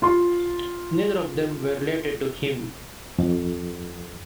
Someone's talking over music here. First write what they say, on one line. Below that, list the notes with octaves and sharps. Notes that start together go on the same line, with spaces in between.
Neither of them were related to him.
F4 C6
F2